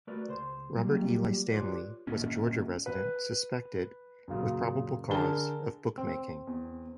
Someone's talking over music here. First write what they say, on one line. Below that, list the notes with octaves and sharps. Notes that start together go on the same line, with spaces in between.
Robert Eli Stanley was a Georgia resident suspected, with probable cause, of bookmaking.
A3 F#4 A#4 B4 D5
C#2 C5 C6
F#3 G3 A#3
F#3 G3 A#3 F4 G4
F4 G4 B4 C#5 D5
G1 A#2 C#4
B4
F#2 A#2 C#3
D3 G#4 A#4 A5 G7
C4
E2